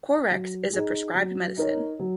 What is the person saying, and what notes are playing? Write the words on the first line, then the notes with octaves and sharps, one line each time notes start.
Corex is a prescribed medicine.
F#3
D#4 G#4
F#3
D#4 A#4 C#5
F#3